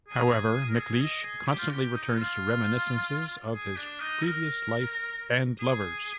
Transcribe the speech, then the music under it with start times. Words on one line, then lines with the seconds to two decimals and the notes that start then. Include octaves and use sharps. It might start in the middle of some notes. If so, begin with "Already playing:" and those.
However, McLeish constantly returns to reminiscences of his previous life and lovers.
0.08 G#4
0.68 A#4
0.77 G#4
1.00 D#5
1.23 G#4
1.46 G4
1.58 F4
1.70 G4
1.93 D#4
2.16 F4
3.53 G#4
3.76 D4
4.00 D#4
4.23 A#4
5.60 G#4